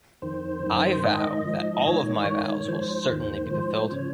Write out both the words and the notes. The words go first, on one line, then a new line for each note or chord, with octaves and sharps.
I vow that all of my vows will certainly be fulfilled.
F2 D#3 C5
F#2 D#3
G#2 D#3 D#5
G#2 F3
G#2 D#3 C#5
G#2 D#3
G#2 F3 C5
D#2 D#3
G#2 F3 C5
C#3 F3 C#5